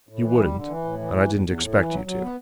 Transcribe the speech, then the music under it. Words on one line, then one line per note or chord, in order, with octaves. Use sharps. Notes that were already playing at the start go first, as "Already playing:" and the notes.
You wouldn't, and I didn't expect you to.
A2
E3
G3
D3
E3
A2
E3
E3
E2
E2
A2
E3
F#3
F#3
B3